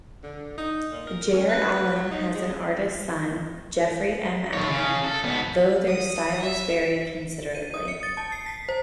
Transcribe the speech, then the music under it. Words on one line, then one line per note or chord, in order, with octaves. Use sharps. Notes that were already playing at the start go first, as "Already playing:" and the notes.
Jere Allen has an artist son, Jeffery M. Allen, though their styles vary considerably.
D3
D#4
A#2
A#4
C#4
B4
F#3
D#4
G#3
A4 C#5
C#3
A4
G#2 B3
D#6
E5
D#7
D#6
C#7
A6
A5
C7
B6
C5